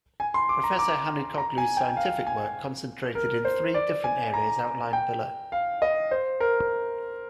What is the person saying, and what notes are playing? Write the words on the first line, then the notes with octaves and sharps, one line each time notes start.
Professor Hanukoglu's scientific work concentrated in three different areas outlined below.
G#5
C6
D6
A#5
D6
A#5
G#5
G5
F5
G#5
A#4
C5
D5
G#5
A#5
G5
F5
D#5
C5
A#4